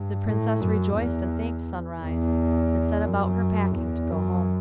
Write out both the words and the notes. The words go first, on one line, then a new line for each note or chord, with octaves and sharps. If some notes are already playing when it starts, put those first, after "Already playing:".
The Princess rejoiced, and thanked Sunrise, and set about her packing to go home.
Already playing: G2
A2
F#2
E2
E2
F#2
E2
F#2